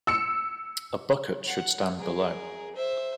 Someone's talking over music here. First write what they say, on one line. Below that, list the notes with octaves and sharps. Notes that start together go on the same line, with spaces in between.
A bucket should stand below...
E6 C#7
F#5
G#4 A#4
C5 E5